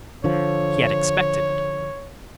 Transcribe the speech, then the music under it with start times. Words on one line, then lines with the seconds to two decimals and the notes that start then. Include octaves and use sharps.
He had expected it.
0.24 D3 F3 C#5